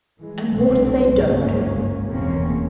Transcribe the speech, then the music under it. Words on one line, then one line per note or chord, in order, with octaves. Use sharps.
"And what if they don't?"
E3 G#3
C2 B2 F#3 A3 C4
G1 C#2 G#2 F#3 A#3 C#4
F1 E2 B2 A#3 C4 C#4